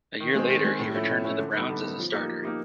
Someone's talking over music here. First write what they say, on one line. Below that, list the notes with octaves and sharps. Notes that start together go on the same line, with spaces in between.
A year later, he returned to the Browns as a starter.
D#3
G#3 C4
D#3
G#3 C4
A2
F3 A3 C#4 E4
A2
F3 A3 C#4 E4
D3
G3 B3 D#4
D3
G3 B3 D#4
F3
A#3 D#4 G4
F3
A#3 D#4 G4